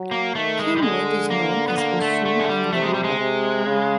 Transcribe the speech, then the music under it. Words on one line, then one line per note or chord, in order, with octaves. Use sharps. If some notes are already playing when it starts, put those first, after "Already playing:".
Camwood is known as "osun" in Yoruba.
Already playing: F#3
A#3
D#3 A3
G#3
G3
D3 G#3
A#3
B3
A#3
A3
A3
G#3
G3
C3 A3
G#3
G3
G#3
C3
C#3